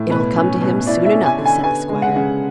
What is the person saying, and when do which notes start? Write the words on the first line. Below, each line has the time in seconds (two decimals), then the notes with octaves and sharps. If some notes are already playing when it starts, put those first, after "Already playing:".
"It'll come to him soon enough," said the squire.
Already playing: A2
0.10 B2 B4
0.36 C#4
0.61 B2
0.87 E4 D5
1.06 E5
1.13 C#4
1.26 G#5
1.38 D3
1.46 G#5
1.64 B3 G#5
1.89 G#3
2.02 F#5
2.16 C#3